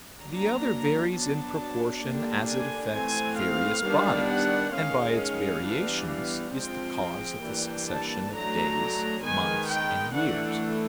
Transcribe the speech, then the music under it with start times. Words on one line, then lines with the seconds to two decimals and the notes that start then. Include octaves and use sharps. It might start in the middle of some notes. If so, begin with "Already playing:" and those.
The other varies in proportion as it affects various bodies, and by its variations is the cause of the succession of days, months, and years.
0.21 F#3 A#3 D4 A#5
1.11 F#3 B3 D4 A5
2.01 D3 G3 A#3 D4
2.47 G#5
2.92 E3 A3 C4 G#5
3.37 F5
3.81 D#3 G3 B3 D4
4.26 F#5
4.72 D#3 G#3 C#4 F5
5.17 F5
5.62 E3 G3 B3 D4
6.06 F5
6.51 F3 G#3 C4 G5
7.42 E3 G3 A#3 D4
7.87 A5
8.32 F#3 A3 D4 A#5
9.22 D#3 G#3 B3 G#5
9.68 G5
10.13 E3 A3 D4 F#5